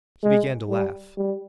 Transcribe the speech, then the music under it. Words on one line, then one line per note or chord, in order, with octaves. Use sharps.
He began to laugh.
G#3
G3
G3